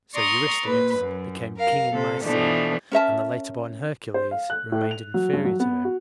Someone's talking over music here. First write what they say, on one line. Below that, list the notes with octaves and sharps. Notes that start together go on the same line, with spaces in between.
So Eurystheus became king in Mycene, and the later-born Hercules remained inferior to him.
D5 A#5 C6 C#6 D#6
A#2 B4
F#2
A#4 F5
C3 A4
B2 E3 F3 A3 D4
C#4 A#4 E5 A5
C5
F5
F#6
A2
F7
F#3
G2
F#3
B3
F#4